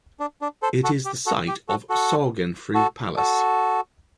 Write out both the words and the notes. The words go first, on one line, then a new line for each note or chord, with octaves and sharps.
It is the site of Sorgenfri Palace.
D4
D4
A4 C5
F#4 A4
G4
F#4 A4
G4
F#4 A4
F#4 A4
F#4 A4
F#4 A4